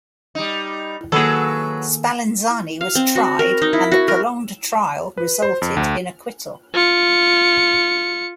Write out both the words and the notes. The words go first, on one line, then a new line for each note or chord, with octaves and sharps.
Spallanzani was tried and the prolonged trial resulted in acquittal.
G3 D#4
D#3 F#3 A#3 G#4 A4 B4
F5
C4
F#4
A#4
D#4
E4
F#4
A#4
B4
C5
F2
D2
F4 C#7